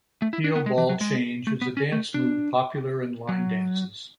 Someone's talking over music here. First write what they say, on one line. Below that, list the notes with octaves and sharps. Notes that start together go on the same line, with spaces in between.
Heel ball change is a dance move popular in line dances.
A3
E4
D4
B3
G#3
E3
F#3
G#3
A3
B3
C#4
A3
D4
F#3